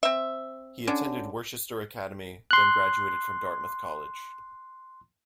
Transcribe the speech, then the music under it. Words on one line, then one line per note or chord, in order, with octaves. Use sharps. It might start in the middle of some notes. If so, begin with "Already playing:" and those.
He attended Worcester Academy, then graduated from Dartmouth College.
C4 E5
D3 C#4 D4
C6 F#6